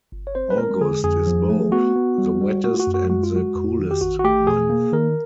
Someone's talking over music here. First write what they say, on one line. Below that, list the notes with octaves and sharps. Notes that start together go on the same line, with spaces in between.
August is both the wettest and the coolest month.
G1
C#5
C4 C5
B4
G#3 A#4
D3 G#4
F2 G#4
F3
A3
B3 F#4
B3
G3
G3
A3 F#4
F4
F#4
F#2
F#4
G#3 F#4
F4
G#3 F#4
F2
D#3
G4
A1 F#4
F#4
A3 G4
B2 G#4
A#3
D#3 A#4